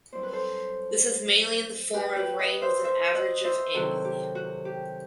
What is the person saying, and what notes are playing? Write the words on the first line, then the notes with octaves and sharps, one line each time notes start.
This is mainly in the form of rain with an average of annually.
G2 F#3 C4 E4 C5
B4
A4 C5
G4 B4
G4 B4
B4 D#5
C5 E5
C5 E5
D#5 F#5
C5 E5
C3 D#3 F#3 C4 E4 F#4 A4
G4
F#4
G4